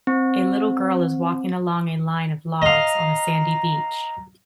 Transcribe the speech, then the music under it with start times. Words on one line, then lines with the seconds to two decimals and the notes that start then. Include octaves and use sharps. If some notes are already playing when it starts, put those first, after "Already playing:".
A little girl is walking along a line of logs on a sandy beach.
0.07 C4
2.62 D#5 F5 A#5